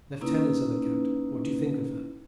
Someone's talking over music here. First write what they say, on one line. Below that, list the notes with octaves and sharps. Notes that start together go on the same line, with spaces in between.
"Leftenant," said the captain, "what do you think of her?"
A#3 C#4 D#4 E4 B4